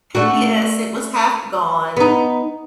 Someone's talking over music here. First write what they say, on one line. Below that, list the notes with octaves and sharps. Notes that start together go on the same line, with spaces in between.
Yes. It was half gone.
A3 D4 F#4
B3 D#4